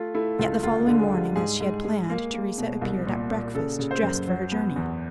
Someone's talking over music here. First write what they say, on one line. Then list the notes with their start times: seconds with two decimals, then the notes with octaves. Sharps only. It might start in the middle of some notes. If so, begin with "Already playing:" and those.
Yet the following morning, as she had planned, Theresa appeared at breakfast dressed for her journey.
Already playing: A3 F4
0.14 A3 E4
0.39 C#2 F4
0.63 D2 F4
0.87 D3
0.99 G#4
1.12 G3
1.36 G#2 G#4
1.61 G#2
1.85 G#3
2.10 A#3
2.34 A#3
2.58 B2
2.81 C2
3.07 A#2
3.31 A#2
3.55 C#3 A4
3.79 C#3
3.91 C5
4.03 F#2
4.28 F#3
4.52 B3
4.76 E2